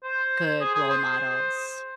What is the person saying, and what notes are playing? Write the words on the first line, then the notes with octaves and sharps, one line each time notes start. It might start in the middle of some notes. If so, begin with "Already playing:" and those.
good role models.
C5
G#4
G#4
C5